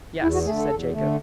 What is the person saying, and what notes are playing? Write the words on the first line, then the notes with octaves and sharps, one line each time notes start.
"Yes," said Jacob.
E2 E4
F#4
D3 A3 G#4
A4
E2
D3 A3